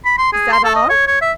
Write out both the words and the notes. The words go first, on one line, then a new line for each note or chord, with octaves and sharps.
"Is that all?"
B5
C6
G#4
C6
A4
D#5
C#5
C#5
E5